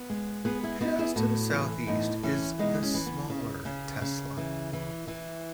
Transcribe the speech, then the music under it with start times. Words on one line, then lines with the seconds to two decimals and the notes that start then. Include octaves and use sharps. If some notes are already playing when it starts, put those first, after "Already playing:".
Just to the southeast is the smaller Tesla.
Already playing: B3
0.10 G#3
0.45 B3 G#4 B4
0.63 E4 G#4
0.81 B3 D#4 F#4
0.99 E4 G#4
1.16 A2 F#4 A4
1.52 E3
1.87 A2 B3 D#4
2.23 E3 C#4
2.59 G#3 B3 D#4
2.83 C#4
2.94 E3
3.06 B3
3.29 C#3
3.65 C#3 C#4
4.01 C#3
4.37 E3
4.73 E3
5.08 E3